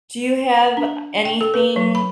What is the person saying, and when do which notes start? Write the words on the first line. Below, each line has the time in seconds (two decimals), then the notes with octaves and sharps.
Do you have, uh, anything,
0.77 D4
1.25 G5
1.41 A4
1.54 B4
1.76 F#3
1.95 B5